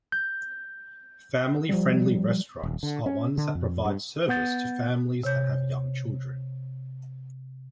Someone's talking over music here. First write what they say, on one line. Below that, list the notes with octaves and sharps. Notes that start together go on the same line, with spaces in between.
Family friendly restaurants are ones that provide service to families that have young children.
G6
F3 G3
D#1
D3
C#4
D3
F2
G2
B3 F#5 G6 A6
C3 C#5 G6